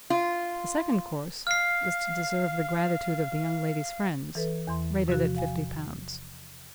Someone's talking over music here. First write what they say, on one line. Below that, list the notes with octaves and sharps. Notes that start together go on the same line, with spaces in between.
The second course was to deserve the gratitude of the young lady's friends, rated at fifty pounds.
F4
F5 F6 C7
E3 A4 B4
E2 E3 C6
C3 F3 F#4
F5 G#5